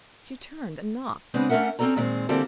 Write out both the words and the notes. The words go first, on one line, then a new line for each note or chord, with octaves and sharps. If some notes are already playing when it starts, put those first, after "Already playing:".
She turned, and knocked.
C#3 G#3 B3 C4 D4 B4
A3 C#4 D4 A#4 E5 F#5
C4 C#4 D#4 A4 D5 A#5
A#2 D#3 G#3 C4
D3 E3 G3 A#3 C4 A4